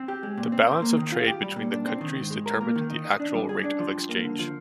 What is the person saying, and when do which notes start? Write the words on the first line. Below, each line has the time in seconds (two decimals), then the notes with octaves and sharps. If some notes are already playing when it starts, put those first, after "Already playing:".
The balance of trade between the countries determined the actual rate of exchange.
Already playing: C4
0.08 G4
0.23 G#3
0.37 A#2
0.52 C4
0.67 C5
0.82 A#3
0.97 D#3
1.12 F4
1.27 G4
1.42 G3
1.56 A#2
1.71 D4
1.86 C4
2.01 D#3
2.16 G#2
2.30 G#3
2.46 A#4
2.61 A#3
2.76 D#3
2.90 D#4
3.05 D#5
3.20 D4
3.35 G3
3.49 G#4
3.64 D4
3.79 F3
3.94 G2
4.09 A#3
4.24 D3
4.39 F3